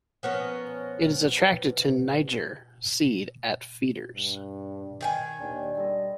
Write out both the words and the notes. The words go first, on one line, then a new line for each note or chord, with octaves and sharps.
It is attracted to niger seed at feeders.
F3 B3 C#4 A#4
G2
D#3 G5 G#5
D#2 D4
G3 A4 C5 D#5